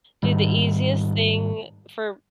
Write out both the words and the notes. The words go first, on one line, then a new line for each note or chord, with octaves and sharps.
do the easiest thing for
G#2 D#3 G3